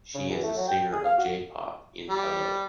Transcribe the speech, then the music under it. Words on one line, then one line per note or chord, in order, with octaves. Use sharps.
She is a singer of J-Pop in Hello!
C#3
E2
A3
F#3
G5
G#4
F5
F#4
G3